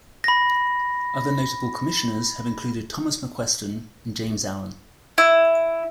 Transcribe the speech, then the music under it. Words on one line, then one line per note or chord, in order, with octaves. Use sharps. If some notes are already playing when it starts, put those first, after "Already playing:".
Other notable Commissioners have included Thomas McQuesten and James Allan.
B5 A#6
E4